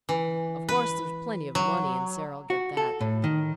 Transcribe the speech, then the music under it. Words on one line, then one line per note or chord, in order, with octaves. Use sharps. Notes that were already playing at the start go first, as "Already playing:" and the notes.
Of course, there's plenty of money and Sara'll get that.
E3
B4
F#3
F#4
A4
A2
D#3